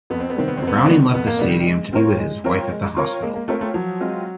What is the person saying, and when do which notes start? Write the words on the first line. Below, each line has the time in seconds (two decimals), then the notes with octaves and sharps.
Browning left the stadium to be with his wife at the hospital.
0.10 F2 B3
0.20 C4
0.30 B3
0.36 C3 D#3 G3 C4
0.48 B3
0.57 C4
0.62 F2
0.67 B3
0.77 C4
0.86 C3 D#3 G3 B3
1.14 F2 B3
1.27 A#3
1.39 C3 D#3 G3 B3
1.66 G#3
1.93 C4 F4 A#4 C#5
2.18 G#3
2.44 C4 F4 A#4 C#5
2.70 G#3
2.96 C4 F4 A#4 C#5
3.22 G#3 A#3
3.36 A#3
3.48 A3 C4 F4 A#4 C#5
3.61 A3
3.74 F3 F#3
4.00 G#3 C4 F4